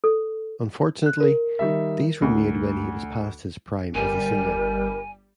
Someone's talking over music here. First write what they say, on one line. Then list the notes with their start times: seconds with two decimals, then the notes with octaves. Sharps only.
Unfortunately, these were made when he was past his prime as a singer.
0.04 A4
1.06 F#6
1.20 A#4
1.59 D#3 G3 E5
2.22 D2
3.94 G1 G3 A#4 G#5